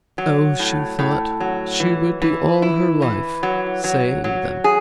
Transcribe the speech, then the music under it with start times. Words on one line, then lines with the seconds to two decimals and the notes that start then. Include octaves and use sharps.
Oh, she thought, she would be all her life saying them!
0.18 F#3
0.59 A2
0.99 A2
1.40 F#3
1.80 E3
2.22 E3
2.62 E4
3.02 E3
3.43 F#3
3.84 F#3
4.24 F#3
4.64 G#4